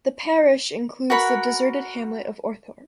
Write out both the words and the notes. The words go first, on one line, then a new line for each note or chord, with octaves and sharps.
This parish includes the deserted hamlet of Orthorpe.
F#4 A#4 F#5 B5